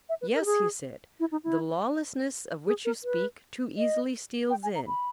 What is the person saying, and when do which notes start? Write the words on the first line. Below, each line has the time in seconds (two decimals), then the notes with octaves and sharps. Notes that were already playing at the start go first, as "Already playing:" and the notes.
Yes, he said; the lawlessness of which you speak too easily steals in.
0.09 E5
0.21 B4
0.34 A#4
0.41 G4
0.46 G#4
1.20 E4
1.32 D#4
1.44 E4
2.67 G#4
2.85 A#4
3.04 B4
3.77 D#5
4.50 G5
4.63 G#5
4.75 A#5
4.87 B5